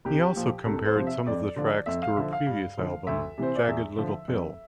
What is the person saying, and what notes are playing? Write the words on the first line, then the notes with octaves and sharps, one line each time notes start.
He also compared some of the tracks to her previous album, "Jagged Little Pill".
C2 G4
A#2 F3
C2 A4
C5
C3 F3
E5
F2 D5
D3 F3 D5
F2 E5
F5
D3 F3 E5
F5
G2
D3 F3
D2 E5
C3 E3 C5
D5
E2 E5
D3 F3
F2